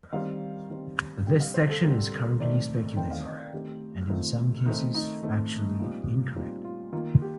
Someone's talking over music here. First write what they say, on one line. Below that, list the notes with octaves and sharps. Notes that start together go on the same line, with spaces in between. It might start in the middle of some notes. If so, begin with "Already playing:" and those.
This section is currently speculative, and in some cases factually incorrect.
D#3 G3 C4 F5
D#3 G3 C4
D3 G3 C4 G5
F5
C5
A4
D3 G3 C4 A#4
D#3 A3 C4 D5
D#3 A3 C4 G5
F5
D#5
D5
D#3 A3 C4 G4
D#3 A3 C4 F4
D#3 A3 C4 D#4
D#4
D#3 A3 C4 D#4
A#2 G3 C4 D#4
A#2 G3 C4 D#4
F4
D#3 A#3 F4
G4